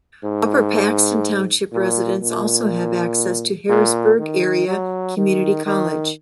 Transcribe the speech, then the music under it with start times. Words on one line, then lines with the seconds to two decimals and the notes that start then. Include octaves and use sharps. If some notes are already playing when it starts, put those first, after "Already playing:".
Upper Paxton Township residents also have access to Harrisburg Area Community College.
0.24 G#2
1.72 A#2
2.22 A#2
3.69 A#2
4.19 D#3
4.68 F#3
5.18 D#3
5.66 D#3